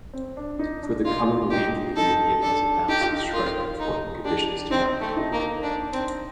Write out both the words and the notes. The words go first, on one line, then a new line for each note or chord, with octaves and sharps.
For the coming week, the union has announced a strike if working conditions do not improve.
C4
D4
D#4
D4
D#4 F4
D4
D#4 G4
D#4 A4
D4 A4
D#4 G4
F4
D#4
F4 A#4
D#4
D4 G4
C4 D#4
A3
D#4
A#3
D4
C4